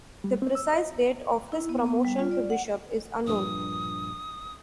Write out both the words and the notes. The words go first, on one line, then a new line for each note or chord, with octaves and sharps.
The precise date of his promotion to bishop is unknown.
G3
C4
E6
D#5
E4
B3
B3
G3
F4
D5
F#5
A#1 G2 A#2 D#6